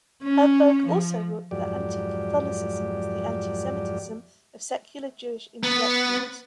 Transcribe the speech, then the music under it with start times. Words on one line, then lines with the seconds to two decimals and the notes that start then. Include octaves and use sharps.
Herberg also wrote that anti-Catholicism is the antisemitism of secular Jewish intellectuals.
0.24 C#4
0.87 F3
1.51 F2 G#2 F#3 G4 D5
5.63 B3